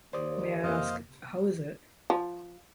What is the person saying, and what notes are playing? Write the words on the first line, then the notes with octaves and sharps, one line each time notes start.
May I ask — How is it?
D#2 C5 D5 D#6
F2 A#3 C5 D#5 F5
F3